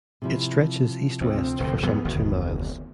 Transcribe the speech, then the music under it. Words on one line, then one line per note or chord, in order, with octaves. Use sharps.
It stretches east-west for some two miles.
C3 F3 E4
D2 C4
F1 D2 A2
E2 F#3 A3 B3
F1 D2 D#3 F#3